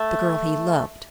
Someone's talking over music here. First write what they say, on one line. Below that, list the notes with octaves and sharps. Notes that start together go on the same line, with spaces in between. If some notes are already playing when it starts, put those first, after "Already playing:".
The girl he loved!
Already playing: A3